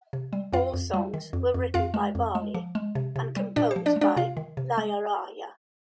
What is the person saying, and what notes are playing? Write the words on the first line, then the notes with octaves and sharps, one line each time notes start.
All songs were written by Vaali and composed by Ilaiyaraaja.
C3
G3
F2 F4 F5
F2
G3
D#3
F2
F2
F2 F4 F5
G#3
F2
G#3
F3
G#3
C3
C3
G3
A#2 D4 D5
C5
F3
D4 D5
G#3
D4 D5
C3 F4 F5
D#3
C3
G#3